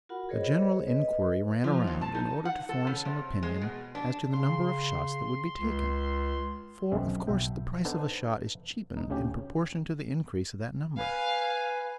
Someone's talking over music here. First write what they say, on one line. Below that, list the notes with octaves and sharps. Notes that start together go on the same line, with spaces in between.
A general inquiry ran around, in order to form some opinion as to the number of shots that would be taken; for, of course, the price of a shot is cheapened in proportion to the increase of that number.
F4 F#4 A#4 F#5 B5
G#4 A#4 C5 C#5 D#5
B4 D#5
F3
G2
A5
D#4
F#5
A4
C#3
C3
G#3
B2
D4
C#3 C6
C#2
B1 F#2 G#3 C4 E5
B1 E5 G5
B3 D4 D#4 A4 B4 C5
D#4
D2 C#3 C#4 G4
B4 F5 G#5